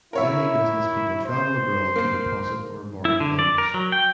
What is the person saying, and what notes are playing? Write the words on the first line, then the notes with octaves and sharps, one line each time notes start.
Many business people travel abroad to deposit or borrow funds.
E4 A#4 C#5 E5
C5
A#3 C7
E4
D3
D5
A#4
F#3
G5